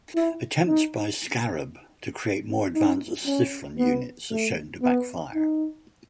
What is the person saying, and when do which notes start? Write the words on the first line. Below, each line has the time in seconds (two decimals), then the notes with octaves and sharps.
Attempts by Scarab to create more advanced Cyphron units are shown to backfire.
0.15 E4
0.67 D#4
2.75 D#4
3.27 C#4
3.79 B3
4.31 A3
4.83 B3
5.35 D#4